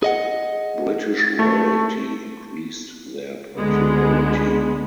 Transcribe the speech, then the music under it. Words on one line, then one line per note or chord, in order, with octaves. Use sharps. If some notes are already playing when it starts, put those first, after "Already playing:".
British royalty increased their popularity.
G#4 D#5 F#5
A3
C#2 D3 G#3 B3